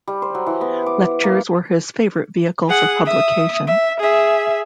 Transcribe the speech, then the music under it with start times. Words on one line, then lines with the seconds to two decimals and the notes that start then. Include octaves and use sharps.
Lectures were his favourite vehicle for publication.
0.08 G3
0.22 C5
0.35 F#3
0.47 E3
0.61 B3
0.86 D6
1.24 A#3
2.68 G#4 F#5
3.05 E5 D#6
3.67 E5
4.00 G#4 E5